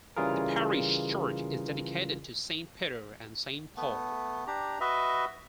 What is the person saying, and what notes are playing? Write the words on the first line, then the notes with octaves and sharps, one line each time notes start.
The parish church is dedicated to Saint Peter and Saint Paul.
C#3 E3 G3 F4 G#4 A#4
A3 B3
D4 G4 A#5
F#4 B4 D#5 E5